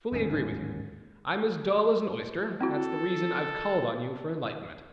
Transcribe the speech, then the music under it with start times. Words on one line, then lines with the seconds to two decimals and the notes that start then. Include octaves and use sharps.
I fully agree with you! I’m as dull as an oyster; that’s the reason I’ve called on you for enlightenment.
0.12 D1 D#2 G#2 C#4
2.61 C4 E4 F#4 A4